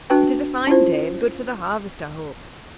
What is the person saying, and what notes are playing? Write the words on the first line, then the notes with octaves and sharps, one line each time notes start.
It is a fine day, and good for the harvest, I hope.
D4 F#4 B4 G5
C#4 E4 F4 C5